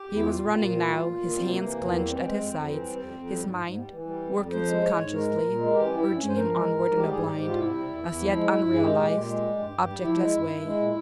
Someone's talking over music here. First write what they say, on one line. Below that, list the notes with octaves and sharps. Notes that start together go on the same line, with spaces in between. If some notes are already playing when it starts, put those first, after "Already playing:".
He was running now, his hands clenched at his sides; his mind, working subconsciously, urging him onward in a blind, as yet unrealised, objectless way.
Already playing: G4
E2
E4
G3 F4
A#2
A#2
G3
G3
A#2
A#2
G3
C4
C3 A#3
E3
E2
G3
E3 C4
G#3
F2
F2
E3
G3
F2
F2
G3
G#2
G#2
G3
E3
G3
F2
F2
F3 C5
G#3
G#2 C#5
G#2
G#3 A#4
A#2
A#2
G#3
E3 G4
C#4
G3 E4
G2
C#4
G2
C5
F3 A#4
G#3
G#2
G#2
G3 G4
G#2 G#4
G#2 G4
G3
F4
C3 E4
G3
E2
E2
F3
G#3
G2
G2
G#4
G#3 G4
A#2
A#2
G#3
G3
G2
G2
G3
F3 E4
G#3
G2
G2
G#3
A#2